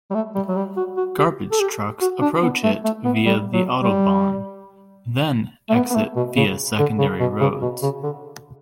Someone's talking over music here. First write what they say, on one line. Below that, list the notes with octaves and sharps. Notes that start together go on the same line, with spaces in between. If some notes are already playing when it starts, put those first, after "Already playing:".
Garbage trucks approach it via the autobahn, then exit via secondary roads.
G3
A3
G3
F#3
G3
F#4
F#4
G4
A4
G4
F#4
D4
B3
A3
A3
B3
G3
F#3
G3
A3
B3
B3
A3
B2
C#3
D3
C#3
B2
C#3
B2
C#3
D3